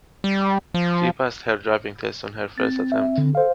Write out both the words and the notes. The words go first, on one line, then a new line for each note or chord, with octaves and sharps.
She passed her driving test on her first attempt.
G3
F3
C4 A6
E5
D3
A4 C5 F5